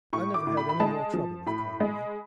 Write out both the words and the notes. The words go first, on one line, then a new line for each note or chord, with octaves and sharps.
I never had any more trouble with Conway.
A2 C#6
D6
A2
B5
B5
G#3 A5
F3
A2 B5
G#3